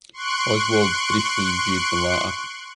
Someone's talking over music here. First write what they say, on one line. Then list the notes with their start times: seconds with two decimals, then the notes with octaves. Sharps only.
Oswald briefly viewed the latter.
0.13 C6 C#6 F#6 D7